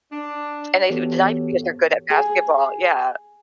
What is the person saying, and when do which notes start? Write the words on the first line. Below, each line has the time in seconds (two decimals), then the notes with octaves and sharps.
and they decided because they're good at basketball, yeah.
0.11 D4
0.90 E3 B3 F#4 G4 A4 C#5
2.10 G#4